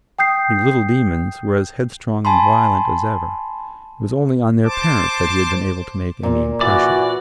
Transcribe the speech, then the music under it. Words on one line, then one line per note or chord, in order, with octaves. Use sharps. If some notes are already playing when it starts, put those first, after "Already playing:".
The "little demons" were as headstrong and violent as ever; it was only on their parents that he had been able to make any impression.
G5 D#6 G6 C7
G#5 A5 B5 C6
C5 A5 D6
A#2
E3 F#4 D5